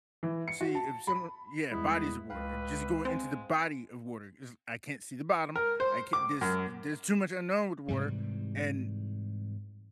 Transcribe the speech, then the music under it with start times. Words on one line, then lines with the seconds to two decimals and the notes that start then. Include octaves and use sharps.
see, if some yeah, bodies of water, just go into the body of water 'cause I can't see the bottom, I can't there's there's too much unknown with water, and
0.23 E3
0.48 C#7
0.61 F#4
0.75 A5
1.07 B5
1.71 E2 G3 G#3 B3 E4
2.30 C#2 B4 F5 G5
3.05 G#3 C4
5.56 A#4
5.80 C5
6.13 D6
6.41 F#2
7.88 G#2 C3 E3 G3